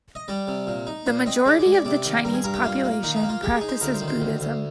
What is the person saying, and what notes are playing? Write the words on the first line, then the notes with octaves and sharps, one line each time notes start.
The majority of the Chinese population practises Buddhism.
D#5
G3 D5
C3
A#2
D#4
A#2 C5
C4 D#5
G#3 D5
D5
G#3
D5
C3 D5
D#3
G2 A#4
G#4
G2 A#4
G4
A#3 F4
A#3
D#3 D#4
D#4
A#3
F4
G#3 G4
G#4
D#4
C5
D2 A#4
C5
D#3
C5
D2
D2